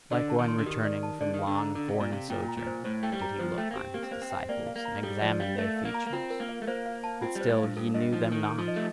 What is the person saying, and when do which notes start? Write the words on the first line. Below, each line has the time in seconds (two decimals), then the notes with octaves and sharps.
Like one returning from long foreign sojourn did he look on his disciples, and examined their features; but still he knew them not.
0.11 D3 D5
0.30 A5
0.39 D#3
0.48 C6
0.59 D3
0.66 D#3 G4
0.84 D5
1.03 A5
1.21 D3 D5
1.34 D#3
1.39 F5
1.47 D3
1.57 A#5
1.75 D3 A4
1.88 C3
1.94 D5
2.00 A#2
2.12 C3 F5
2.30 A#2 G5
2.48 A#5
2.57 A#2
2.66 C5
2.85 A2 C5
3.03 A3 G5
3.12 G3
3.21 A#5
3.39 F3 C5
3.58 A3 G5
3.71 A#3
3.76 C4 G4
3.94 A#3 G4
4.03 C4
4.11 A#3 C5
4.22 C4
4.31 G5
4.49 A#3 D5
4.67 F5
4.76 A#3
4.85 A#5
5.03 G3 A4
5.21 F3 D5
5.40 G3 F5
5.58 A3 A#4
5.76 F5
5.85 A#3
5.94 A#5
6.07 A#3
6.13 C4 F4
6.31 A#4
6.40 A#3
6.49 F5
6.62 A3
6.67 A#3 C5
6.86 F5
7.04 A5
7.21 C4 F4
7.35 G3
7.41 C5
7.50 A2
7.59 G2 F5
7.77 G2 A4
7.94 G2 D#5
8.13 F3 D#4
8.31 D#3 D#4
8.49 A4
8.58 F3
8.68 D#5
8.76 A3